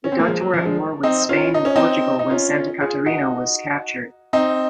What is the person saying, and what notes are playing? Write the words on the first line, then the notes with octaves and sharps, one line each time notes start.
The Dutch were at war with Spain and Portugal when "Santa Catarina" was captured.
C#4
C4
A#3
F3 G#3
F#3
F3
F3 G#3
C4 D#4
C#4 F4
D#4
C#4
C4 D#4
D#4
C#4 F4
F4 G#4
D#4 F#4
C4 D#4